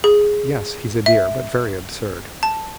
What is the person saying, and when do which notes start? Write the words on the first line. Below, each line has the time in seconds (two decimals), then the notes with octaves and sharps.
"Yes, he's a dear, but very absurd."
0.04 G#4
1.06 E5
2.43 A5